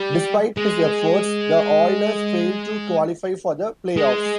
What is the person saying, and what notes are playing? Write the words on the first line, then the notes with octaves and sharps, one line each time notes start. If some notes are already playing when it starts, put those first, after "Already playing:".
Despite his efforts, the Oilers failed to qualify for the playoffs.
Already playing: G3
G#3
G#3